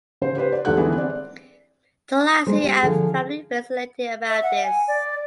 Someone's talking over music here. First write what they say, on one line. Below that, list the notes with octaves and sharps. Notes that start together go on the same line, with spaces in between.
Tulasi and family feels elated about this.
C#3 C5
G4 B4 C5
D5
D#1 F3 A3 F#5 F#6
D3 E3 G#3 B3 G#4
C4 D5
G#3 C5
G4
D3 F3 G#4
E5
F#5
G#5
D5